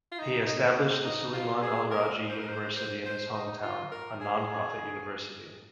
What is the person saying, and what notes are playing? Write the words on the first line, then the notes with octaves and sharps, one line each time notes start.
He established the Sulaiman Al Rajhi University in his hometown, a non profit university.
F4
D#4
D#4
C4
A#3
C4
D#4
F4
G#4
A#4
C5
A#4
C5
C5
C5
D#4
F4
A#4
G#4